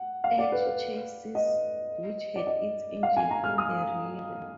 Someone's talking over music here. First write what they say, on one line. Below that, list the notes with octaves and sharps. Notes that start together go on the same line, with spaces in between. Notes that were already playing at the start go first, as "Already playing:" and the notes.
H chassis, which had its engine in the rear.
Already playing: F#5
F5
D5
B4
B4
D#5
D5
D#5
F5
G#5
A#5
F6
D#6